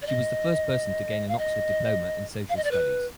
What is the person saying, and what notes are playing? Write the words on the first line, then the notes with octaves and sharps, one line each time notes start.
She was the first person to gain an Oxford diploma in social studies.
D5
D#5
F5
D#5
F5
D#5
D5
B4